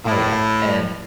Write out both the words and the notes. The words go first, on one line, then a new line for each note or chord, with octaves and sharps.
Oh yeah, and
A2